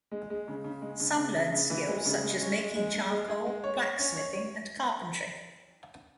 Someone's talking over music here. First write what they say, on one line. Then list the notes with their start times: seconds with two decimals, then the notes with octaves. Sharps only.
Some learned skills such as making charcoal, blacksmithing and carpentry.
0.12 G#3
0.30 G#3
0.48 C#3
0.64 C#3
0.82 G#3
1.00 C#3
1.17 C#3
1.35 C#3
1.52 C#3
1.70 E3
1.88 G#3
2.06 C#3
2.23 G#3
2.41 C#4
2.59 G#3
2.76 G#3
2.94 G#3
3.11 G#3
3.28 G#4
3.46 G#3
3.64 C#5
3.82 C#5
3.99 C#4
4.16 C#5
4.33 C#5